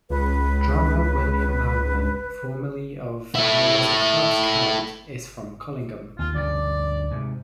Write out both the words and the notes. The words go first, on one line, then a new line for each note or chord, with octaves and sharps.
Drummer William Bowerman, formerly of 'I Was A Cub Scout' is from Collingham.
C#2 B4
A3 E4
D#2 F4
D2 G2 C#3 D5
G#2 C3